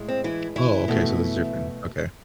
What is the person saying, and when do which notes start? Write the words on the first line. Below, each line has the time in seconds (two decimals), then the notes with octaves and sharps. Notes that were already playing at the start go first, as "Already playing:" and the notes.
Oh, okay. So this is different. Okay.
Already playing: A2 G#3
0.08 C4
0.24 E3 E4
0.56 E3 E4
0.88 B2 A3